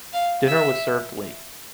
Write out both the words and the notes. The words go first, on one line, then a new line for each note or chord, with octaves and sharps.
Dinner was served late.
F5
E5